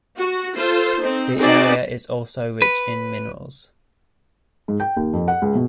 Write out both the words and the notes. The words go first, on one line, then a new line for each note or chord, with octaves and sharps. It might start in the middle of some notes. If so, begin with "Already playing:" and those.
The area is also rich in minerals.
F#4
F4 A4 C5
C4 D#4
C4 D#4 F#4 G#4 C5 D5
B4
G#2
G5
D#2
F2
F#5
C#2
B2